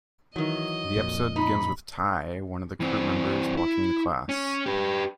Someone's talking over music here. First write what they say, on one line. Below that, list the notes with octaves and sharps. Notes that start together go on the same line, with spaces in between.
The episode begins with Ty, one of the crew members, walking to class.
D#3 E3 F#3 D#5
F2 A#2
D#4 B5
E3 C4
E4
C#4
G4 B4